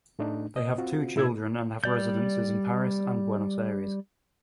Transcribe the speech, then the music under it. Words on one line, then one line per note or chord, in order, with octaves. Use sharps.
They have two children and have residences in Paris and Buenos Aires.
A2 A3 D4 D#4
A#2 D#5
C4 F4 F#4
A#2 E4 E6 G#6
G3 D5 G6